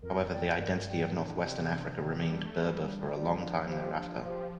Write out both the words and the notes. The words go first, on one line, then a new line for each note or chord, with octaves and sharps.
However, the identity of northwestern Africa remained Berber for a long time thereafter.
F2 A#4
D5 G5
F2
G2 A#4
D5 G5
A2 D4
C3 G4 D5 G5
D4
G4 D5 G5
G3 D4
A3
G4 D5
G3
G3 D4
G4 D5
F3 D4
G4 C5 F5
F3 D4
G4 C5 F5